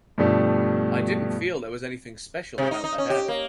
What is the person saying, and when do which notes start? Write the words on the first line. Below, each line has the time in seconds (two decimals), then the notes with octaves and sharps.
I didn't feel there was anything special about that ad.
0.18 G2 B2 F3 G3 A3
2.58 C3
2.71 D#4
2.84 D#4
2.98 C#4
3.10 G4
3.28 A#3